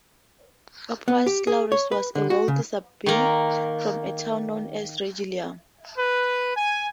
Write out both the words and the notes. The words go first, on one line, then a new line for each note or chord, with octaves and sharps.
Appius Claudius was a wealthy Sabine from a town known as "Regillum".
B3
G4
G#4
C#5
B4
D3
F#4
C#3
D#3 A#3
B4
G#5